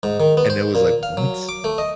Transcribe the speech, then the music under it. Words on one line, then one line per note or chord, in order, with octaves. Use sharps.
And it was like, "What?"
G#2
D#3
B3
C5
A#2
F5
F#3
D6
A3
D#5